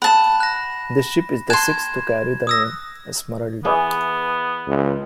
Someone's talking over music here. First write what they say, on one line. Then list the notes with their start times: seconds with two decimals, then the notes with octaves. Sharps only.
The ship is the sixth to carry the name "Esmeralda".
0.02 F#5 A5 B5 E7
0.40 F#6 A#6
1.50 A5 C6 F#6 G#6 E7
2.47 D#6 E6 A#6
3.65 E3 B3 G#4
4.68 C#2